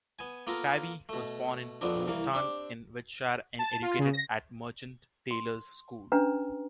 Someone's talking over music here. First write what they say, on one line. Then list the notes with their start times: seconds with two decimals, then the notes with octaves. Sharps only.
Pavy was born in Wroughton in Wiltshire and educated at Merchant Taylors' School.
0.19 B3 G#5
0.47 A#3 B3 F4 A4 A#4
1.09 B2 A3
1.81 A#1 F2 B3 C4 D4
2.08 C2 E3 A#3
2.33 C4 D4 G4
3.59 A5
3.82 F4
3.99 C#3
4.13 A#6
5.31 C6
6.12 C#4 D4 B4 A#5